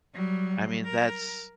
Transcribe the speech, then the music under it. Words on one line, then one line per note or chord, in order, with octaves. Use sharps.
I mean, that's,
F#3 G3
A#4